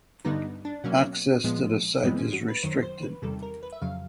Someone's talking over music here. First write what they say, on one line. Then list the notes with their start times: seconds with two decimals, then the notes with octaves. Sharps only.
Access to the site is restricted.
0.25 G2 D3 G3 B3 D#4
0.65 D4
0.84 B2 F#3 A#3 C#4
1.44 A#2 F3 G#3 B3
2.03 G2 E3 G#3 B3 C4
2.18 C#4
2.33 F#4
2.48 B4
2.63 F#2 D#3 F#3 C5
2.82 C5
3.03 B4
3.22 E2 C3 D#3 G3 A4
3.42 A#4
3.63 B4
3.72 E5
3.82 F2 C#3 F#3 F5